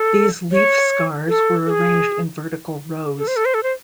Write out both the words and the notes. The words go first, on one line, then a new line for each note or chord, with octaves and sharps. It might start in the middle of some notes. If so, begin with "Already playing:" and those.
These leaf scars were arranged in vertical rows.
Already playing: A4
C#5
A4
A4
G#4
A4
C5
A4
C5
A4
C5